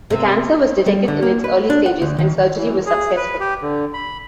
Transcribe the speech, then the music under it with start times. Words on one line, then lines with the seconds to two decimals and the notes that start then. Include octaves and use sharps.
The cancer was detected in its early stages, and surgery was successful.
0.10 C3
0.86 G3
1.08 D3
1.22 A#3
1.44 B4
1.70 D4
1.86 F#5
2.02 D2
2.19 D#3
2.56 E3
2.86 G#4
3.17 B4
3.40 G4
3.62 D3
3.94 B5